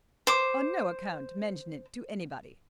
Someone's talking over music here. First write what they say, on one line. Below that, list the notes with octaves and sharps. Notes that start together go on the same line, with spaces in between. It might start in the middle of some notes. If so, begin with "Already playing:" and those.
"On no account mention it to anybody."
C5 D6